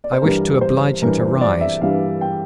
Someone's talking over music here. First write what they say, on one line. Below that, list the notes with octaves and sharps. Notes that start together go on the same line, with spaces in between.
I wished to oblige him to rise.
D5
C5
G2 E3 G3 A#4
C5
G2 E3 G3 A#4
C5
D5
E5
G2 E3 G3 F5
G5